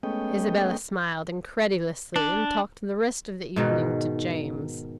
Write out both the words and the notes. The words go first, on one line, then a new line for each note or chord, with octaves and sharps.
Isabella smiled incredulously and talked the rest of the evening to James.
G#3 A3 B3 C#4 D#5 G5
D4
G#2 B2 D#3